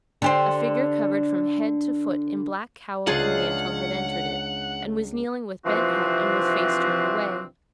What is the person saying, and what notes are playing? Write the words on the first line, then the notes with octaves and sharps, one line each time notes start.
A figure covered from head to foot in black cowl and mantle had entered it, and was kneeling with bent head and with face turned away.
D3 G4 C5
C#2 D4 F4 G#4 C#5 F#5
C3 E3 F3 C4 D4 F#4